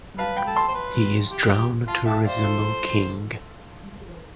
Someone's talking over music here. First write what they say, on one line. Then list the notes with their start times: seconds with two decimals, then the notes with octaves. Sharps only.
He is drawn to resemble King.
0.18 B4 F5 A5
0.37 G5 B5
0.47 A4
0.56 A5 C6
0.68 C5
0.74 B4
1.31 G4
1.87 F4 F5 A5
2.06 A4 E5 G5
2.25 C5 D5 F5
2.43 F4 A4